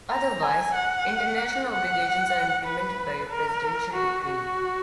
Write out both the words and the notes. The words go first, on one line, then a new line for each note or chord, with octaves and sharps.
Otherwise, international obligations are implemented by a presidential decree.
A#5
G#5
F#5
F#5
B4
A#4
F#4
F#4